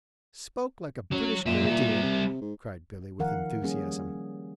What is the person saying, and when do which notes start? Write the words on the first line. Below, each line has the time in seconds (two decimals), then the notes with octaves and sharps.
"Spoke like a British Grenadier," cried Billy, with enthusiasm.
1.11 F#2 F#3 C#5
1.46 F#2 A#2 E5
1.65 G3 E5
2.03 C3
2.41 G#2
3.19 D#3 F3 A#4 F5 F#5
3.62 G3 A#3 C#4 G#4